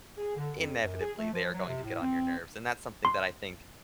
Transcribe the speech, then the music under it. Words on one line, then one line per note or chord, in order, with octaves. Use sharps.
inevitably they are going to get on your nerves, and that's something that I think,
G#4
D3
F2
F#2
G#4
A3
F3
F#3
C3
A2
C4
C6